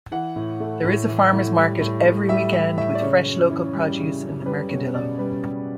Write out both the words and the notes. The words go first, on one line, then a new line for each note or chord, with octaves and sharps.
There is a farmers market every weekend with fresh local produce in the Mercadillo.
E3 F#5
A2
A3
A2
E3
A2
G3
A2
A2
G3 E5
G3 E5
A2 E5
D5
C#3 C#5
F#2
E3
G3
C#3
F#2
G3 B4
B2 C#5
B2 D5
G3 B4
G3